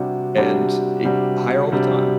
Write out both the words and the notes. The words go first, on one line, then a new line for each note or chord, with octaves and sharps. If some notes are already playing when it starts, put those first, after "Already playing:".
and it higher all the time.
Already playing: C3 G3 D4 F#4
C3 G3 D4 F#4
C3 G3 D4 F#4
C3 G3 D4 F#4